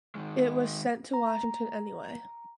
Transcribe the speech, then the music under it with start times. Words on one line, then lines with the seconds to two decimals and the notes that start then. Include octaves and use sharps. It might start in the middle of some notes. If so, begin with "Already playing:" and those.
It was sent to Washington anyway.
0.15 D#3 G#3
1.14 A#5